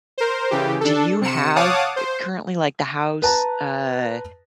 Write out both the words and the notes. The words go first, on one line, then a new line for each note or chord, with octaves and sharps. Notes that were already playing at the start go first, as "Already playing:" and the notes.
do you have currently, eh, like the house, uh,
A#4 C5
C#3 E3 G4
D4 A4
C3 C#7 E7
C#5 F5 F#5 A5 D6 D#6
C5
B4 A5 A#5